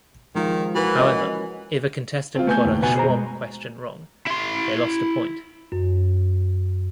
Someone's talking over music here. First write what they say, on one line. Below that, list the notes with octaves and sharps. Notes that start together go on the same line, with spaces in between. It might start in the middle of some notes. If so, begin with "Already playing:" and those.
However, if a contestant got a Schwab question wrong, they lost a point.
D#3 F3 G#3 F4
E3 F#4 A#4 B4
C#4 D#5
C4 F4
A3 B3 G#5 G6
D#2
B2 B4 F#5 G#5
G#4 C5 A#5
G#3
E4 C6
F#2